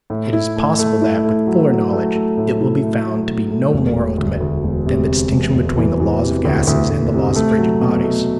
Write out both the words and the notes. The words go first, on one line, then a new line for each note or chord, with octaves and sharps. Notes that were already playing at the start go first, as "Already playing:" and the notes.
It is possible that, with fuller knowledge, it will be found to be no more ultimate than the distinction between the laws of gases and the laws of rigid bodies.
A2
E4
A3
A3
E4
A3
F#3
F#3
A3
A3
A2
E4
A3
F#3
A3
A3
E1
E1
D2
D2
E1
C3
C3
E1
E1
E3
E3
C3
D2
D2
D2
C3
A3
F#3
B2
A3